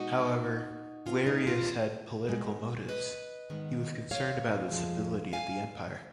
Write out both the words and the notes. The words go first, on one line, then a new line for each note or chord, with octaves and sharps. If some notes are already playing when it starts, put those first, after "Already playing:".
However, Galerius had political motives; he was concerned about the stability of the empire.
Already playing: B2 G#3 B3 D#4 F#4
B2 A#3 C#4 F4
D#4
F4
B2 G#3 B3
B4 D#5
G#2 D#3 G#3 B3
C#5 F5
F2 F3 G#3 C#4
F5 G#5